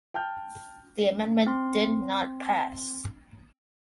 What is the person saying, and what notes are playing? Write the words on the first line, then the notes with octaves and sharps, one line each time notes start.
The amendment did not pass.
G5 A5 F6 G6
C4 C6